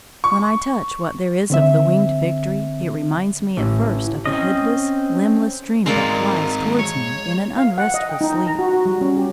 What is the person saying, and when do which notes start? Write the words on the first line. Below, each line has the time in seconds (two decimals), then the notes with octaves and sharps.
When I touch what there is of the Winged Victory, it reminds me at first of a headless, limbless dream that flies towards me in an unrestful sleep.
0.24 C#6
1.50 D3 C4 E5
3.57 A1
4.26 C4 C#4 D#5
5.86 G#2 G#3 A#3 C4 D5
6.79 C#5
7.58 F5
7.78 F#5
7.94 D#5
8.09 G5
8.21 D#4
8.33 A#5
8.47 A#5
8.59 F#4
8.74 F#4
8.85 G3
9.01 C#4
9.17 G4